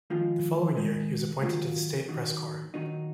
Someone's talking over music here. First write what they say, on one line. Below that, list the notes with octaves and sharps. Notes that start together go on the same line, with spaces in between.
The following year, he was appointed to the State Press corps.
D#3 F3 G#3 F4
D#3 G#3
D#3 F3 F#3 A#3 F4
D#3 F#3 A#3
A#2 D#3 F#3 A#3 D#4